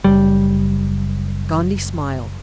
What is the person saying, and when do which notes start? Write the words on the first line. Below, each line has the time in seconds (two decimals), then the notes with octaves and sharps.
Gondy smiled.
0.04 F#1 G3